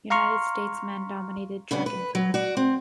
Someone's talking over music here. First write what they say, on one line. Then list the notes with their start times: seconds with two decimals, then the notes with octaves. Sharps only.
United States men dominated track and field.
0.10 F5 A#5 C6 C#6 F6
1.71 C#3 B3 C#4 D4
1.86 B4
2.15 F#3
2.34 F#4 D5
2.57 C4